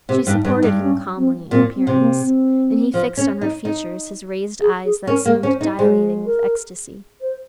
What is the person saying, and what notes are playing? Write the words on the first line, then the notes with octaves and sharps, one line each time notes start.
She supported him calmly, in appearance; and he fixed on her features his raised eyes that seemed dilating with ecstasy.
C3 G4
G2
D#4
G2
D#4
G2
C#4
C4
A#2 C4
C4
C3
A#3
C4
F3
C#4
D#4
D#4
G#4
G#4
C#4 A#4
A#3
C#4 C5
D#4
G#3 C5
A#4
C5